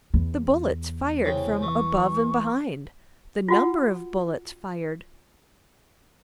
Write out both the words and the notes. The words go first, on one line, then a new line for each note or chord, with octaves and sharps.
The bullets fired from above and behind. The number of bullets fired.
E2
C2 C#3 G5
E3 C#6
F4 F#4 F#5